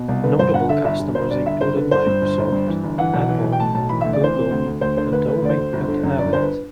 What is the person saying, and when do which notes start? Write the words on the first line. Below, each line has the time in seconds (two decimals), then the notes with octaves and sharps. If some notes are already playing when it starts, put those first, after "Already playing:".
Notable customers included Microsoft, Apple, Google, Adobe and Avid.
Already playing: B2
0.08 C2
0.24 D3 B4
0.39 G2 C5
0.54 G1 F#5
0.69 D3 E5
0.84 G1 E5
0.99 G1
1.15 G1 C5
1.30 G1 D5
1.46 G1 E5
1.61 G1 C5
1.76 D3 B4
1.91 G1 C5
2.07 G2
2.21 G1
2.38 G1
2.52 G2
2.67 E3
2.84 G1
2.98 E3 F#5
3.14 B1
3.29 E3
3.44 B1
3.52 G5
3.60 A2 A5
3.75 B1 A5
3.89 E3 B5
4.01 E5
4.05 D2
4.13 D5
4.21 E3 C5
4.35 C3
4.51 D2
4.66 D2
4.81 D2 C5
4.97 D3 C5
5.12 D2 B4
5.27 D3 B4
5.42 D2 D5
5.50 C5
5.57 D2
5.73 G1
5.88 D3
6.03 F#2
6.18 G1 D5
6.33 G1 C5
6.42 B4